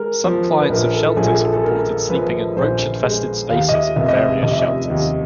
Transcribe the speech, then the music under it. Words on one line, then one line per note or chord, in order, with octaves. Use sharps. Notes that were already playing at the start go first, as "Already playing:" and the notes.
Some clients of shelters have reported sleeping in roach-infested spaces at various shelters.
Already playing: G#3 A#4
F3
B4
A#1 A#4
A4
A#1 G#4
G#4
A4
A4
G#3 A#4
F3 B4
A#1 C5
G#3
D#2 F5
D#5
E5
F1 E5
D#5
E5
F1 D#5
E5
D#5
D#2